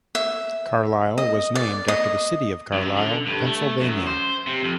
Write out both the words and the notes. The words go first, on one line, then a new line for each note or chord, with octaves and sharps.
Carlisle was named after the city of Carlisle, Pennsylvania.
E5
D#5
D5
D#5
F#2
D3
G2
A3
F#2
C5
C3
F2